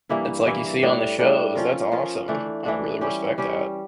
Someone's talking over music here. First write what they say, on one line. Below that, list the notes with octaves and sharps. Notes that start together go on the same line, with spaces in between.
that's like you see on the shows, that's awesome. I really respect that.
G2 E3 A#3 E4
G2 E3 A#3 E4
A2 G3 D4
A2 G3 D4
F3 C#4 F4 A#4
F3 C#4 F4 A#4
E3 A3 D4
E3 A3 D4
G3 C#4 G4
G3 C#4 G4